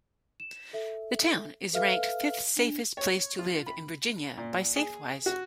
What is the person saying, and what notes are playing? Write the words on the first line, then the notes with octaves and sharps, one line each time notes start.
The town is ranked fifth-safest place to live in Virginia by Safewise.
E7
A4 E5
A4 B4 E5 F5 F6
D4
C#5
F4
B5
A#2
G#4
F#4